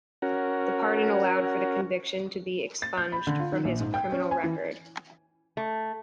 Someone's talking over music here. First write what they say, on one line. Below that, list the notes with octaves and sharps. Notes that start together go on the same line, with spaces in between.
The pardon allowed for the conviction to be expunged from his criminal record.
C#4 F#4 A#4
A6
G6
B5
D3
F4
D#3
A#1
G#2
G5
C#4
G#5
E3
A3